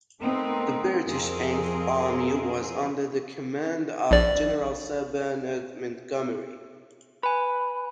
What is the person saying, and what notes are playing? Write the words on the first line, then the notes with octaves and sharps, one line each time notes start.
The British Eighth Army was under the command of General Sir Bernard Montgomery.
A3 B3 C4 D#4 A#4
F2 F3 C4 G#4 A#4 D#5
A#1 D5
B4 G#5 B5